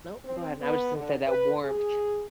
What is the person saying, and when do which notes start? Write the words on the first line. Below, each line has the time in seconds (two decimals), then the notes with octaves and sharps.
no, go ahead, and I was just gonna say that warmth
0.25 C4
0.61 B3
0.96 D3
1.28 B4
1.64 G#4